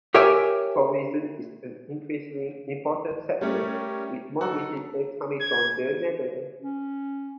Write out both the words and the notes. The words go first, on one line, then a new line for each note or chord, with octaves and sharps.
Tourism is an increasingly important sector, with most visitors coming from the Netherlands.
G4 A#4 C#5 E5 G5 G#5
G3 A3 C#4 G4 A#4 C#5
D#4 F#4 A4
G#6
C#4